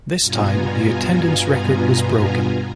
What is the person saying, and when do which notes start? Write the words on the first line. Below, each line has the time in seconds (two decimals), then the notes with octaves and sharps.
This time the attendance record was broken.
0.21 G2 B2 B3 F4 G#5 A#5